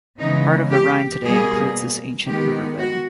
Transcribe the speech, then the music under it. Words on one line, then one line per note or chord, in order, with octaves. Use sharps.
Part of the Rhine today includes this ancient riverbed.
C#3 E3 G#3 B3 D#4
G4
B2 G3 A#3 G#4
D#3 G#3 B3 G4
F#4